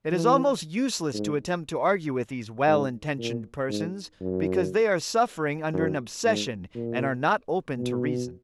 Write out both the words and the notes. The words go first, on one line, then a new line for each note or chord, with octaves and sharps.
It is almost useless to attempt to argue with these well-intentioned persons, because they are suffering under an obsession and are not open to reason.
E3
G#2
G#2
A#2
G#2
F#2
F#2
G#2
A#2
B2